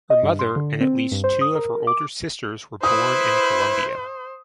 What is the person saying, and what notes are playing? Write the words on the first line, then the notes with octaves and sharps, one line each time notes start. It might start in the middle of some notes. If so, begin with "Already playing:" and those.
Her mother and at least two of her older sisters were born in Colombia.
D#5
G2
C6
D3
C4
G2
C5
D#6
A#4
D6
E4 B4 C5 D#6